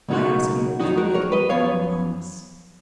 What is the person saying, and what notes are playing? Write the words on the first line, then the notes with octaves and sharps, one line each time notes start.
I ask you to make me one promise.
C#2 B2 F#3 A#3 D#4 F#4
F2 D#3 F#3 D#4 F#4
F#4 A#4
A#4 C#5
B4 D#5
F#2 F3 B3 C#5 F5